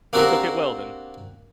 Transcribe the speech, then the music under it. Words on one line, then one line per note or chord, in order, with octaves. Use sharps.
He took it well then.
A#3 C4 D4 F#4 G4 A#4